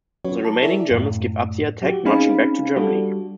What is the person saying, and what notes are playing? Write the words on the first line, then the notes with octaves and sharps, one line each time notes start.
The remaining Germans give up the attack, marching back to Germany.
F#3 C#4 F#4 B4 C#5
A5 A#5
E4 G#4 A#4 C#5 D5 E5
F#2 A2
F#3 F#4 G4
C4 C#4 D#4 G#4 F5 B5
G3 D4 F#4 G4 A4